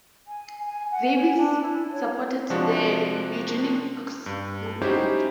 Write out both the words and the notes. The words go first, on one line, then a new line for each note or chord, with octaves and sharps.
Davis supported the eugenics movement.
G#5
G#5
F#5
G#5
D4
E4
C#5
C3 F3 G#3 D4 F#4
G2
C#4 D#4 E4 F#4 G4 C5